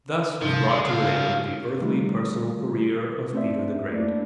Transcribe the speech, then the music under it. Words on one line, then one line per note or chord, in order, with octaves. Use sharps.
Thus was brought to an end the earthly personal career of Peter the Great.
G2 C3 F3
C#3 G#3 D4
F#3 F5
D3 D#3 G3 A3 D#4 F4
A3 C4 D4 C5 D5 E5
A3 A#3 D4 E4 D5